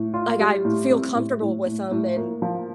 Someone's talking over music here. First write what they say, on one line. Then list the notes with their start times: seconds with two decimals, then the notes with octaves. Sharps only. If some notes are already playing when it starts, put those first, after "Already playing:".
like, I feel comfortable with 'em and,
Already playing: A2
0.14 F4
0.39 G3
0.65 A2
0.90 C4
1.15 A2
1.41 A2
1.66 A2
1.91 A2
2.17 A#3
2.42 F3